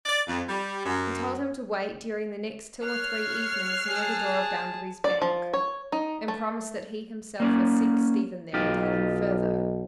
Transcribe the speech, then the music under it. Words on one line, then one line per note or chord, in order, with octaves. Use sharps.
He told him to wait during the next two or three evenings near the door of Bounderby's bank, and promised that he himself would seek Stephen there and tell him further.
D5
F2
G3
F#2
C#5 F6 F#6 C7
G#4 A5
D5
F3
C#5
D#4
A3
A#3 C#4 D5
B1 D#4 F4 G4